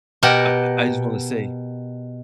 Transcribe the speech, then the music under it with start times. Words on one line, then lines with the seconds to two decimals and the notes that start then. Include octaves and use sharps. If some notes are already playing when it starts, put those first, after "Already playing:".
I I I just wanna say,
0.23 B2 G4 A#4 F#5